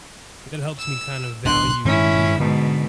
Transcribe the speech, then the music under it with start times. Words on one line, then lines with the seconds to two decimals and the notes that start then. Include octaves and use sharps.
that helps me kind of value the, uh,
0.79 E6
1.45 D1 B1 D4 C6 F#6
1.85 G2 D#3 G#3 C#4 E4
2.40 G#2 B2 D3